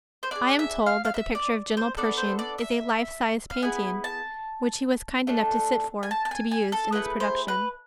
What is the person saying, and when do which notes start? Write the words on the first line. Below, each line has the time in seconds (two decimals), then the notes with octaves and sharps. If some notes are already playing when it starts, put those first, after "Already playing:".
I am told that the picture of General Pershing is a life-sized painting, which he was kind enough to sit for, to be used in this production.
0.23 C5
0.31 D4 G#4 D5
0.59 E5
0.86 F5
1.05 F5
1.14 E5
1.35 D5
1.77 C5
1.97 B3 D4 A4 D5
2.17 C5
2.39 D5
2.58 E5
3.50 F5
3.62 B3 E4 G#4 G#5
4.04 A5
5.27 A3 D4 A4
6.03 G#5
6.11 A5
6.25 A5
6.31 G#5
6.51 G#5
6.72 A4
6.92 A3 E4 G#4 B4
7.20 C5
7.48 B4